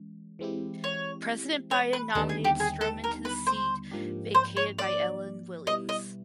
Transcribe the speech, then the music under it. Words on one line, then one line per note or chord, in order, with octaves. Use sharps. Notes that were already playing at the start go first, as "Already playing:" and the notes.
President Biden nominated Stroman to the seat vacated by Ellen Williams.
Already playing: E3 G#3 C#4
E3 G#3 C4 E4 G4
C#5
C#5
B4
D#2 D3 G3 B3 D#4 A4
G#4
G4
G#4
A4
A#4
B4
C5
G#2 F3 A#3 D4 G4
C5
C#5
D5
B2 G3 B3 E4 D#5
D#5